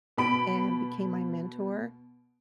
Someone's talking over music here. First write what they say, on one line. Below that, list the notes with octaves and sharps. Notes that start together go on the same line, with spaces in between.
and became my mentor,
B2 B5 D7